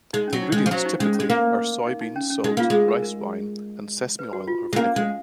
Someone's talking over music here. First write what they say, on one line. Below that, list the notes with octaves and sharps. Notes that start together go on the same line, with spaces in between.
The ingredients typically are soybeans, salt, rice wine and sesame oil or vinegar.
G#3 D#4
C#4
F#3
D#4
G#3 C#4
F3
F#3
D#4
G#3 C#4
C#4
G#3
A#3
D#4
D#4
C#4
C#4
G#3 D#4
A#3 F4
G#3 G#4
A#4
A#4
B4
F#4
F4
G#3
A#3 C#4
G#3